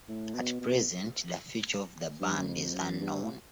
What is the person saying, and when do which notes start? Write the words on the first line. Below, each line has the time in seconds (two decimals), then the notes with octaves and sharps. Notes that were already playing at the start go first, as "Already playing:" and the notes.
At present the future of the band is unknown.
0.08 A2
0.34 B2
0.60 B2
2.20 G2
2.38 F#2
2.48 F2
2.75 F#2
3.00 G2
3.23 A2